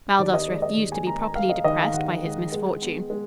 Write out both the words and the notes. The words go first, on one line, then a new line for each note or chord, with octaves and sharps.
Baldos refused to be properly depressed by his misfortune.
D#2 D5
D#5
G#3 D5
D#5
D#2
G#5
G#3 A#5
A#5
G#3 F5
D#5
D#3 D#5
F5
D#2 F#5
G#3
G#3
B3
G#3